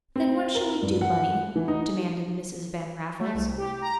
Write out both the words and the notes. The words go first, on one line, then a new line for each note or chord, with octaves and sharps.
"Then what shall we do, Bunny?" demanded Mrs. Van Raffles.
C4
A#4
G2
F#5
E3
D#4
A3
C2
G4
A#5